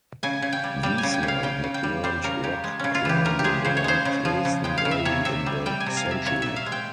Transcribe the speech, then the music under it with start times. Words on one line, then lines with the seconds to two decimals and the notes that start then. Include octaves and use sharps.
Wiessner had learned rock climbing around Dresden early in the century.
0.23 C#3 G#5
0.42 C#3
0.52 G5
0.64 G3
0.83 G3 G5
0.98 G#5
1.03 C#3
1.14 G5
1.23 C#3
1.28 F5
1.43 C#3 G5
1.64 C#3
1.74 G5
1.83 G3
2.04 G3 C5
2.24 C#3 A#4
2.44 C#3 G4
2.64 G#3
2.79 C#3 C#4
2.95 F4
3.05 E3 G4
3.25 C#3 A#4
3.39 G4
3.44 G#3 G#4
3.64 C#3 C5
3.77 C#5
3.84 G#3 C5
4.05 C#3
4.25 F3
4.45 C#3
4.64 G#3 G5
4.77 F5
4.85 C#3
4.91 E5
5.05 C3 C#5
5.25 C3 E5
5.46 G3
5.66 G3 G5
5.80 G#5
5.86 C3
5.97 F5
6.06 C3
6.11 E5
6.26 A#2 C#5
6.42 A#2 E5
6.56 F5
6.66 G#3
6.72 G5